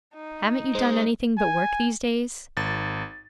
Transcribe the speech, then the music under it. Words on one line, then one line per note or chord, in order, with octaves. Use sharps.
'Haven't you done anything but work these days?'
D#4
G#3 C5
G#5
G#1 A6